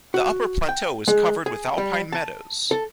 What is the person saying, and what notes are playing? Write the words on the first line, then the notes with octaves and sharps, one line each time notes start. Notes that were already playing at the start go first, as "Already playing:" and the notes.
The upper plateau is covered with alpine meadows.
F#4
G5
G#3
G#4
G3
A5
A4